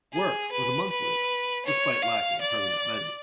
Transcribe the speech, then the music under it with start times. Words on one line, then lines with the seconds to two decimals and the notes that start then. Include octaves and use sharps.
"Work" was a monthly event, despite lacking a permanent venue.
0.13 G#4
0.52 B4
0.90 B4
1.66 C#5
2.03 F5
2.41 D5